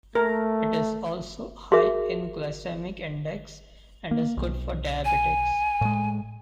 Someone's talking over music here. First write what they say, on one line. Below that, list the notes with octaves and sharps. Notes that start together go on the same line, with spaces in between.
It is also high in glycemic index and is good for diabetics.
A3 A#4
F#4 G#4 A#4 E5
A#3
B1
G#5
A2 G#3